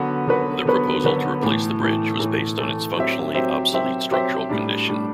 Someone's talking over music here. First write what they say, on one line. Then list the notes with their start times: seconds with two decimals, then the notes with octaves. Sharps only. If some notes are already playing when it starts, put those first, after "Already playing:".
The proposal to replace the bridge was based on its functionally obsolete structural condition.
Already playing: D3 F#3 B3 F#4 B4
0.27 D3 F#3 B3 F#4 B4
0.65 D3 F#3 B3 F#4 B4
1.04 D3 F#3 B3 F#4 B4
1.42 A2 E3 A3
1.80 A2 E3 A3
2.19 A2 E3 A3
2.58 A2 E3 A3
2.96 F#3 C4 G4 C5 E5
3.34 F#3 C4 G4 C5 E5
3.73 F#3 C4 G4 C5 E5
4.11 F#3 C4 G4 C5 E5
4.49 A2 G3 D4
4.88 A2 G3 D4